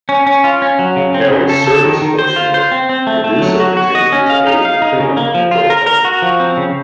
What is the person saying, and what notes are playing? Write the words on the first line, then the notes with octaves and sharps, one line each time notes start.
Now a Service Force unit, "Medusa" continued to aid the clean-up at Pearl Harbor.
C#4
C#4
F4
C#4
F#3
C#3
C4
C#3
A4
A4
D#3
D#3
C5
F4
C5
C4
C4
A3
A3
F#3
F#4
F#4
D#5
C#4
F5
D#4
F5
D#4
C#3
A#3
F3
F4
A#4
A#4
F#4
F3
C4
C#3